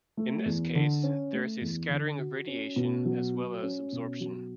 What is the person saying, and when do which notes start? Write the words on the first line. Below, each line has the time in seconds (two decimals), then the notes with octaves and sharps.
In this case, there is scattering of radiation as well as absorption.
0.17 A3
0.45 E2
0.75 D3
1.03 C#4
1.33 A3
1.61 E2
1.90 D3
2.18 F#4
2.47 C#4
2.76 B2
3.05 F#3
3.35 F#4
3.63 C#4
3.92 B2
4.20 F#3